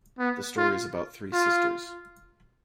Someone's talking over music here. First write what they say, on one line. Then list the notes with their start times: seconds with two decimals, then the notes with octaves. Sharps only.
The story is about three sisters.
0.19 B3
0.57 F4
1.33 F4